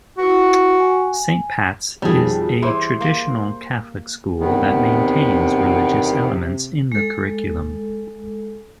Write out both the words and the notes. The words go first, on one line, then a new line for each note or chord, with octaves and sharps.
"Saint Pat's" is a traditional Catholic school that maintains religious elements in the curriculum.
E4 F#4 B4
G#5
F2 B2 D#3 G3 G#4
E3 C5 C6
A#3
E2 C3 D#3 B3
G#3 A4